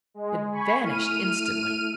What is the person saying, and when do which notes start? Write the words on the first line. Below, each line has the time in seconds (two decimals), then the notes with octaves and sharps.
It vanished instantly.
0.14 G#3
0.51 G#5 B5 C#6
0.84 A3 E4 F6 D#7